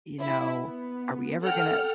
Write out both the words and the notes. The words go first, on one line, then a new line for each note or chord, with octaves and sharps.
you know, are we ever gonna"
E4
B3
A4 F#5 G5 F6